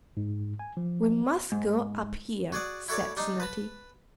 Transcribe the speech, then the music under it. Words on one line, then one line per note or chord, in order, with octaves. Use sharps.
'We must go up here,' said Snati.
G#2
G#5
F3
G#2
F#4 G#4 D5 F#5
E4 F#4 A4 C#5 D5
G3 D4 D#4
B4 A5 B5